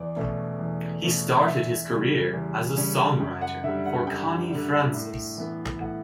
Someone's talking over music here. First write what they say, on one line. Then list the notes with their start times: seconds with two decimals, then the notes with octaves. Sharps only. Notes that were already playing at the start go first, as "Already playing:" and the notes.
He started his career as a songwriter for Connie Francis.
Already playing: E2 D5
0.16 B2 A3 C#4
0.59 E2
1.03 B2 A3 C#4
1.40 F#5
1.46 E2 E5
1.90 C#3 G3 C#4
2.33 E2
2.77 C#3 G3 C#4
3.20 F#2 G5
3.41 F#5
3.64 D3 E5
3.68 G3
3.86 F#5
4.07 F#2 G5
4.51 D3 G3
4.94 A2
5.37 E3 B3
5.81 A2 F#5